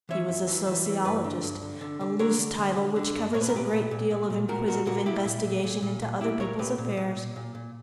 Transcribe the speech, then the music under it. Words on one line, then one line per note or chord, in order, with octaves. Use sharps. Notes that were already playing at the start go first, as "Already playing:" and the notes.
He was a sociologist--a loose title which covers a great deal of inquisitive investigation into other people's affairs.
E3 C#5 E5
F#2
E3
E3
E3
G2 B4 D5
D3
G2
D3
D3
D3
D3 A#4 C#5
D3
D3
D3
D3
G2
A#2 C#5
B4
A#4
A#2 G4 B4
A#2
A#2
A#2
A#2
A#2 F#4 A#4
A#2 F#4 A#4
A#2 F#4 A#4
A#2 E4 G4
A#2
A#2
A#2
A#2
A#2
A#2 E4 G4
A#2 A#4 C#5
A#2 G4 B4
A#2
A#2
A#2
A#2
A#2